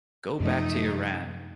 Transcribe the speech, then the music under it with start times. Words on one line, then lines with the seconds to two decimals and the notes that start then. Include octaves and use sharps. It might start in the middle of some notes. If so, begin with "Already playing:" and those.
Go back to Iran!
0.40 F#2 C3 F3 A3 D#4